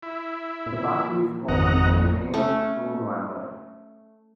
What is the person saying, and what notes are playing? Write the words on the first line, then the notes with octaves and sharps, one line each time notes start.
The park is open from May through November.
E4
A#2
G#1 F2 D#5 F#5 A#5
A3 C#4